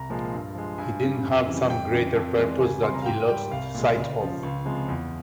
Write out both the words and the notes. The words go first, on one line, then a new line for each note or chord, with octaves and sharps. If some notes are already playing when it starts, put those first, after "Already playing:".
He didn't have some greater purpose that he lost sight of.
Already playing: C2 A#5
A#2 F3 G#3
G2
F3 G#3
G2 G#5
G3
F2
C#3 E3 G3
F2 G5
C#3 E3
F2
E3 G#3
C#2 G#5
C3 G3 C6
A#5
F5
G#2 G5
G3 G5
C2 F5
A#2 G#3
C#2
C#3 F3
C#2
C3 F3 G#3
E2